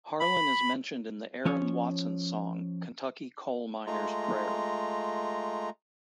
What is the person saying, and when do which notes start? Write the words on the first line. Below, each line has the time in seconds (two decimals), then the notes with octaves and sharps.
Harlan is mentioned in the Aaron Watson song "Kentucky Coal Miner's Prayer".
0.20 B5
1.45 F3 C#4 C#5
3.87 G#3 A3 F4 A#5